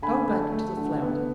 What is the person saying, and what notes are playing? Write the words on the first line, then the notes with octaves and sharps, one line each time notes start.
Go back to the flounder.
D3 G#5 B5
A3
A3
D3
B3